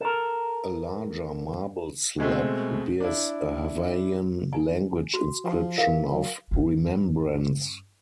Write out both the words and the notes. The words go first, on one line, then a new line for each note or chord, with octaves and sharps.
A larger marble slab bears a Hawaiian language inscription of remembrance.
A4 A#4
B2 G#3 A3 C4
D4 E4
G#5
F#4
F3
E3 A#4 F5
F#3
G2 C#4